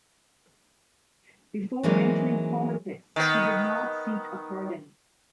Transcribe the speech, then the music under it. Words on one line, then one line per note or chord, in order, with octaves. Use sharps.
Before entering politics, he did not seek a pardon.
E3 F#3 G#3 A#3 C4 D#4
D#3 B3